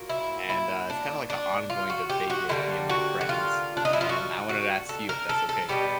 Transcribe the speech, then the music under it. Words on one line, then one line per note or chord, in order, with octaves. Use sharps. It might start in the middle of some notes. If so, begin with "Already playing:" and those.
and, uh, it's kinda like an ongoing debate with me and my friends, and I wanted to ask you if that's okay.
Already playing: A#2 F#3 A#3
E4
E4
D4
D4
F4
F#4
G4
F#4
D3 G3 A#3 E4
F#4
F#4
F4
D4
D#4
E4
F4
F#4
F#4
A4
A#4
A4
A4
B2 G3 B3 G4